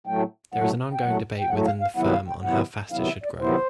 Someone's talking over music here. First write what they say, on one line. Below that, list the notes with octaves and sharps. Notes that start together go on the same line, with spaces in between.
There is an ongoing debate within the firm on how fast it should grow.
A2 F#3 A3 G5
A2 F#3 A3 F#5
G5
A2 F#3 A3 F#5
G5
A2 F#3 A3 F#5
F5
F5
C3 D#3 F#3 B3 E4 F#5
F5
G5
C3 D#3 F#3 B3 E4 F#5
C3 D#3 F#3 B3 E4 F5
E5
D5
C3 D#3 F#3 B3 E4 C5